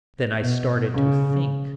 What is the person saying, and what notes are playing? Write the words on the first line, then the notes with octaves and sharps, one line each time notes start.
Then I started to think.
B2
C#3